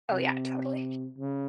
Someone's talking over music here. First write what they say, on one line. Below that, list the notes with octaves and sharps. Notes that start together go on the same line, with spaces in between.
Oh, yeah, totally.
C3
C#3